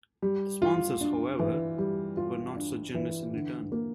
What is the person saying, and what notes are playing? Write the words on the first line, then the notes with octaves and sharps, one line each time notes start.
The sponsors however, were not so generous in return.
G3
F4
D4
E3
G3
F4
D4
E3
D3
A#3